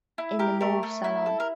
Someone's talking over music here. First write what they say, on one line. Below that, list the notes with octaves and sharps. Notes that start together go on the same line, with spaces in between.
In the mauve salon.
E4
G4 A#4
A3 A#4
A3
E4
A4
A#4